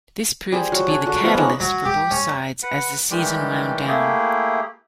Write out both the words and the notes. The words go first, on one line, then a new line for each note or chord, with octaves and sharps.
This proved to be the catalyst for both sides as the season wound down.
G3 G#4 C5
F#3
D4 G#4
D3 F#4
F3 A#3 B3 F4
G#3 C#4 D#4
F#3
G4
C#4
B4 F#5
D#3 E3 G3 G#3 G4
A3 A#3 E4 G4 G#4